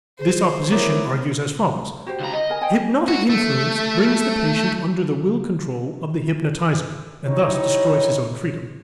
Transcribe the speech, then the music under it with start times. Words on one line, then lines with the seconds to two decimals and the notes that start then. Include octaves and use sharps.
This opposition argues as follows: Hypnotic influence brings the patient under the will control of the hypnotizer and thus destroys his own freedom.
0.19 G#4 C5
0.71 B3 E4 A#4 C#5 A#5 D6
2.06 F#4 G4 C5
2.21 C#2 A#5
2.34 D#5
2.50 A#4 G#5
2.61 C5 G5 G#5
3.08 F#4
3.30 A3
7.25 D#4 E4 G4 C#5